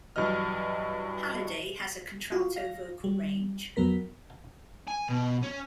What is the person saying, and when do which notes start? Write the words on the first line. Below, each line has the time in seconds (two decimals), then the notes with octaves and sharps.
Halliday has a contralto vocal range.
0.16 G2 E3 F#3 D#5 F6
2.32 F4 F#4
2.56 F5 A#6
3.04 G3
3.76 F2 F#3 B3 A#4 B6
4.87 G#5
5.09 B2
5.43 C#4